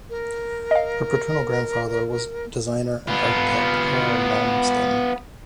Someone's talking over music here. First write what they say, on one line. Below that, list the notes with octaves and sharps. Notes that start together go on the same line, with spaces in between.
Her paternal grandfather was designer and architect Carl Malmsten.
A#4
D#5 F5
B3 F4